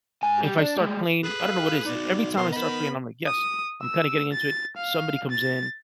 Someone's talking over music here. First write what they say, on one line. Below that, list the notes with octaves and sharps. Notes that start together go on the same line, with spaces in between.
if I start playing I don't know what is like every time I start playing, I'm like, yes, I'm kinda getting into it. Somebody comes in,
G#2 G#5
G3
D4
G3 G#3
G#4 A4 B4
F5
D#4 F#4 D5
B1 B3 A#4 C6
A#4 D#5 B5
D#6
E6
A6
F5
A6